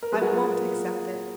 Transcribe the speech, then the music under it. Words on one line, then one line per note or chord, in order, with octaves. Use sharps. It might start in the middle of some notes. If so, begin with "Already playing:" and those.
I won't accept it.
A#4
F#3 G#4 B4
F#4 A#4
F#3 F4 G#4
A#2
A#2